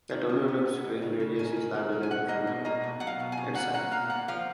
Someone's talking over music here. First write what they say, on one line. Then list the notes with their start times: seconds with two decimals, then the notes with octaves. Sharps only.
The tornado's wind radius is larger than the funnel itself.
0.11 D#3
0.29 D#3
0.48 B3
0.66 B3
0.84 G#3
1.02 C#3
1.20 C#3
1.39 D#3 G#5
1.56 D#3
1.74 D#3
1.92 D#3
2.03 G#5
2.11 B2 F#5
2.28 A#3 D#5
2.47 B2
2.65 A#3 D#5
2.84 B2
3.00 F#3 F#5
3.07 F5
3.20 B2
3.32 G#5
3.37 B2
3.55 A#2 F#5
3.74 A#2 F#5
3.91 A#3 F5
4.10 A#2 F#5
4.28 F3 F5